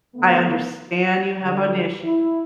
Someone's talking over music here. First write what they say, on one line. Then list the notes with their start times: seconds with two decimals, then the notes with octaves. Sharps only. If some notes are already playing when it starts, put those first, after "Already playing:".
"I understand you have an issue.
0.15 D3 A3 B3
1.41 D3 G3
2.03 E4